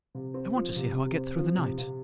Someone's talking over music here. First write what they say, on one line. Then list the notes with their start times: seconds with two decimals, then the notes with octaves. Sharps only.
I want to see how I get through the night.
0.15 C3
0.34 C4
0.55 F3
0.76 C3
0.96 C3
1.16 C4
1.36 F3
1.58 C3
1.78 C3